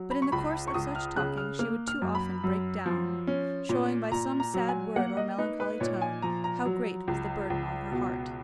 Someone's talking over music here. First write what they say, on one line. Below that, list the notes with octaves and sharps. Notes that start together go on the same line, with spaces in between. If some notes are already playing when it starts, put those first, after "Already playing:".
But in the course of such talking she would too often break down, showing by some sad word or melancholy tone how great was the burden on her heart.
Already playing: F#3
B5
C#6
C#2 B5
C#6
C#2 D#6
F6
C#3 F#6
F6
A#3 F6
F6
F#2
B5
F#2
F3
C#4
A#2
A#2 A#5
A#5
F#3
G#5
A#3 F#5
D#5
D#4 B4
B4
A#2 C#5
G#5
F3 A#5
A#5
F#3
C#2
C#2
B2